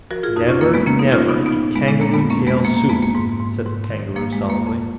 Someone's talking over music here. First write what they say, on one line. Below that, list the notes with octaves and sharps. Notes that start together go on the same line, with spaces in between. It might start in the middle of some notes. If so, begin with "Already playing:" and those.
"Never, never eat kangaroo-tail soup!" said the Kangaroo, solemnly.
F3 F#4 A#4
F4 G#4
F2 D#4 F#4
C#4 F4
F3 A#3
G#3 B3
F3 A#3 C#4
B3 D#4
F3 C#4 F4
B3 D#4
F3
B3 D#4
A#2
G#3 B3
A#2 G#3
A#3
F2 G#3 B3
A#3 C#4
F2
G#3 B3
F3 A#3
A#3
F2 G#3 B3
A#3
G#2
G#2
G#2
D#3
F3 A#3
G#3
F2
A#3
F2